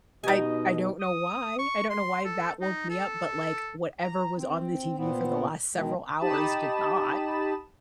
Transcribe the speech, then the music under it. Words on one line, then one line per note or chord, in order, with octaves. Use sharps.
I I don't know why I don't know why that woke me up, but, like, whatever was on the TV for the last several hours did not.
B2 D#4 G4 D#5 G#5
D#6
C#6
C6
A4
D#4
A4
A#5
C4
A#2 B3 C4
B2 D#3 G#3
D#4 G4 A5 B5 D#6 E7